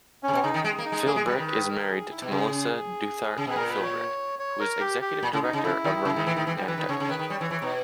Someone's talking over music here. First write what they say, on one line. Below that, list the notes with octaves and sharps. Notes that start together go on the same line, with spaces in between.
Philbrick is married to Melissa Douthart Philbrick, who is Executive Director of Remain Nantucket.
C#4
C#3
B2
C#3 D#4
D#3
G#3
A#3
D#4
G#3
A#3 G#4
G#3
G3 B4
D#3
B4
A#4
G#4
E4
B2
C#3 G#4
C#3
B2
B4
A#2 A#4
B4
C#5
C#5
A#4
G4
G4
A#2
C#3
D#4
C#3
D#4
C#3 E4
D#3
C#3
D#3
E3
D#3
E3
G3
E3 B4
D#3
C#3 C#5
C#3
D#3 B4
D#3
G3 C#5
E3
E3
B2 D#4